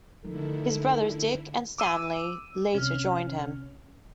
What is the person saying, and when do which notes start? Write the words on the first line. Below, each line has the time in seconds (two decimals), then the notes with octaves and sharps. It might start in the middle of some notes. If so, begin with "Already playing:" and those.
His brothers, Dick and Stanley, later joined him.
0.24 D3 D#3 F3 A3 E4 A4
1.78 D6 E6 D#7
2.75 C2 C3 C#4 F6